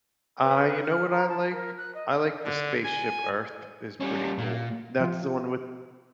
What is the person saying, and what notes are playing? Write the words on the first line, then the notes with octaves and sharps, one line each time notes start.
I You know what I like? I like the Spaceship Earth is pretty cool. That's the one with
B4
F6
A#5
A5
A#4
F#6
D#5
D3
G#5
G3 C#4
A#2
F3 F4